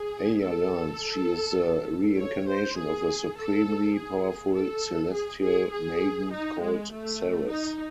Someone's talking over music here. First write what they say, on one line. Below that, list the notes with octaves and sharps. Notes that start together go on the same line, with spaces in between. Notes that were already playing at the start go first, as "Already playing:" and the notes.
Aya learns she is the reincarnation of a supremely powerful celestial maiden called Ceres.
Already playing: G#4
A4
C#5
C5
G#4
A4
G#4
A4
G#4
G#4
G#4
D#4
G#3
A3
D#4